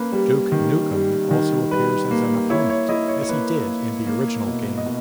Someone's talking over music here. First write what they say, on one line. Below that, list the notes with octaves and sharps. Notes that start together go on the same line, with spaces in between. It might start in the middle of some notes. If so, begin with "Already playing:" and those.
Duke Nukem also appears as an opponent, as he did in the original game.
Already playing: A#3 C#4 B4
G3
D#3
G3
D#3
G3 B4
A#3
E4 C#5
C#5
E4 D#5
C#5
C#5
A#3 B4
A#3
A#3
B2
D#5
B2